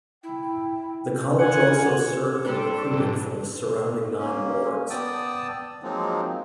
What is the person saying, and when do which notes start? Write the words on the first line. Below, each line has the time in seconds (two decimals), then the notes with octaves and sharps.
The College also served and recruited from the surrounding nine wards.
0.23 E4 G5
1.39 F4 A#4 F#5 G#5
2.45 G3 C4 D4 A4
2.92 B1 G#2
4.18 A#3 C#4
4.90 B3 D5 G5 A5 D#6 E6
5.83 F3 F#3 G#3 A#3 C4 D#4